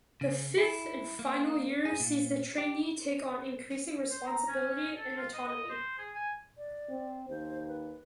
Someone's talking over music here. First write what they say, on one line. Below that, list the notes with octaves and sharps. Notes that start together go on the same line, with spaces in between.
The fifth and final year sees the trainee take on increasing responsibility and autonomy.
C#3
E4
A#3
G#4
A#2
G4
C5
A#5
C#4
C#4
A4
F4
D#5
D#5
C5
G#4
G#5
D5
C4
D#2 C5
B4